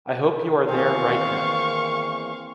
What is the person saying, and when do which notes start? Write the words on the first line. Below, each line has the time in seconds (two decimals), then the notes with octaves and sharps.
I hope you are there right now.
0.69 E2 D#3 E3 A#3 C4 G#4 F5 C#6